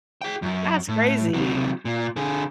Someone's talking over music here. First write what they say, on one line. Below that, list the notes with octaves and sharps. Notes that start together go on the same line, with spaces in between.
That's crazy.
G#4 G5
F#2 F#3
A2
C3 F#3
A#2
D3 G#4